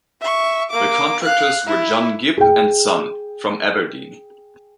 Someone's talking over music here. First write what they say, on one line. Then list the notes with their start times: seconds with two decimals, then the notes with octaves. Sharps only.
The contractors were John Gibb and Son, from Aberdeen.
0.21 E5 C#6
0.70 A#3 D6
1.23 F5 F#6
1.66 E4
2.38 G#4 G5